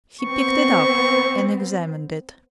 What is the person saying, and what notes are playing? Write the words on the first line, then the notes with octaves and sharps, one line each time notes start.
He picked it up and examined it.
B3 C4 C#6